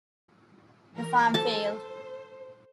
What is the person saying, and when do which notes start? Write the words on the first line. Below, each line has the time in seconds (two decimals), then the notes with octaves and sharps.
The farm failed.
0.92 E3 A#4
1.34 A4 C5 A5